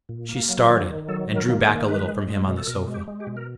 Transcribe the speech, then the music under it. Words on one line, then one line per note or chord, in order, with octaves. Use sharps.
She started, and drew back a little from him on the sofa.
A#2
A#3
F#3
D#3
D#3
F#3 A4
D#3
A#4
A#3
A4
D#3
G#3 B4
G#3
G#3
B2
A4
B2 A#4
G#3
G4
G#3
G4
B2
A#4